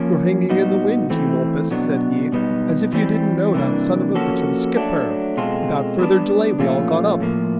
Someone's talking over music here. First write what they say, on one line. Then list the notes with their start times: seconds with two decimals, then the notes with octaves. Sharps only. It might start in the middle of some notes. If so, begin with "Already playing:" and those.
"You're hanging in the wind, Eumolpus," said he, "as if you didn't know that son-of-a-bitch of a skipper!" Without further delay we all got up.
Already playing: F3 A#3 C#4
0.49 A#2 G3 B3 D#4 F#4
1.10 E3 A3 C4
1.71 B2 F#3 B3 D4
2.32 B2 G3 B3 D#4
2.93 E3 G3 C4
3.54 C3 E3 G3 A#3 D4
4.15 F3 A#3 C#4 F#4 A4
4.77 F#3 A3 D4
5.37 B2 G#3 C4 F4 A4
5.99 G3 B3 D4
6.59 A#2 F3 A3 C#4 F4
7.20 A2 F3 A#3